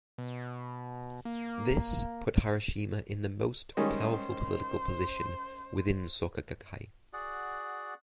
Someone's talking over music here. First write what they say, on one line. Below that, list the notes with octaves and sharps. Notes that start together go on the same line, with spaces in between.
This put Harashima in the most powerful political position within Soka Gakkai.
B2
A#3
D#3 G3 G#3 C#4 C5 D#5
F#4 G#4 D5 F#5